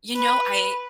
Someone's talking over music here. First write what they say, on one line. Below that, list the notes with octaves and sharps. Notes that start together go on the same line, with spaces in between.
You know, I
B4